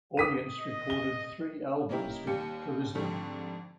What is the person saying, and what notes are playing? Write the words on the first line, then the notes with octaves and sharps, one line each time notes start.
Audience recorded three albums with Charisma.
D#6 B6 D#7
D#5
G7
A#3 C#4 D#4 E4 G4 A#4
D#2 G3 A#3 G4 C#7
F2 G#2 D3 G3 A3 D4